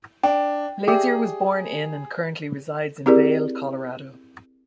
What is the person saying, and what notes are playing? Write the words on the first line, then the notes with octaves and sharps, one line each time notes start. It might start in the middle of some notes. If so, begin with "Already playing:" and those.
Lazier was born in and currently resides in Vail, Colorado.
D4 G5
G4 G#4 D5 E5
C4 E4 G4 G#4 A#4 D5